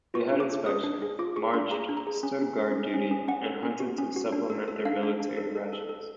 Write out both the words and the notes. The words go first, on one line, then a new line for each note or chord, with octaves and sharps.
They had inspections, marched, stood guard duty and hunted to supplement their military rations.
F4 C#6
D4
D6
D4
G#4 D#6
D4
G#4
F4 D6
G#4 C#6
D4 C6
G#4 A#5
D4
A#5
G#4
C#4
C#4
C#4
C#4
C#4
C#4
C#4 F#5
A4
C#4
F#4
C#4
F#4
D4
A4
A4
D4 F5
D4
D4
A4
A4
A4
A4